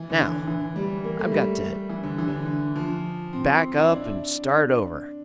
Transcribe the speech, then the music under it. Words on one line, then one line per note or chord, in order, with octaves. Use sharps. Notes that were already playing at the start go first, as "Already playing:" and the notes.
Now, I've got to back up and start over.
Already playing: E3
D3
E3
D3
E3
G3
A#3
A3
G3
E3
D3
E3
D3
D3
F3
C4
E4
D4